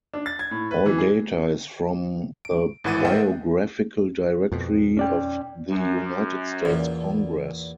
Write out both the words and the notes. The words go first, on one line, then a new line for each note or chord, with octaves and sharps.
All data is from the "Biographical Directory of the United States Congress".
D4
A6
G#6
A2
B4
E3
G#4
D7
G#1 A2 E3 F#5 A6 D#7
A#4 C5 D#5 E5 F#5 G5
F2 B2
C#4 D5 G5
F#2
E2 A#2